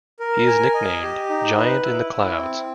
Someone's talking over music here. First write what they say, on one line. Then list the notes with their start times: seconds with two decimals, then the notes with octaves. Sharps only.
He is nicknamed "Giant in the Clouds".
0.19 A#4
0.47 G#5
0.74 D#5
1.03 G4
1.30 D#4
1.57 B4
1.84 E4
2.12 E4
2.39 C4